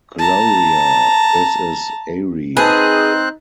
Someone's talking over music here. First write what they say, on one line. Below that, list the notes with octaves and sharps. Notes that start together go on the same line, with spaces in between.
Gloria, this is Ari.
A5 A#5
C4 D#4 G#4 B4 C5 A5 F#6